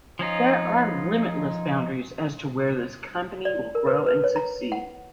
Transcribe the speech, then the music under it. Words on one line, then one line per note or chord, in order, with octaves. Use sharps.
There are limitless boundaries as to where this company will grow and succeed.
F3 C#4 D#4 F4
D5
A#4
B4
B4
C#5
A#5
F#5